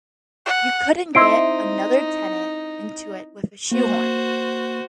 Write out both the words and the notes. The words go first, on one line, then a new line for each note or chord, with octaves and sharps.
You couldn't get another tenant into it with a shoehorn.
F#5
C4 D#4 E4 D#5 C6 C7 D7
A#3 F#4 C5